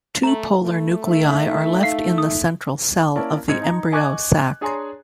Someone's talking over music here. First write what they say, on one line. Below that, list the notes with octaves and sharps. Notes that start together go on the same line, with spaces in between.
Two polar nuclei are left in the central cell of the embryo sac.
A3 A#5 F#7
A3
D#4 E5
D#4
D#4 F5 C7
D#6
A#3 C#4 E4 D5 A5
G#2 C4 D#5 G#6 C#7
D#4 A#5
D#5 G#5 C#6 D6 F#6 G#6
D4 G#4 C#5 G#5 A#5 C6